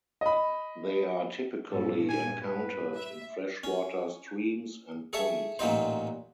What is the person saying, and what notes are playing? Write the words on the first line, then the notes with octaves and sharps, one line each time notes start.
They are typically encountered in freshwater streams and ponds.
D#5 B5
G2 A#2 A4
G#5
B4
E5
C#4
G#4 A4 C#5 E5
A1 A#2 F#3 D#4 C5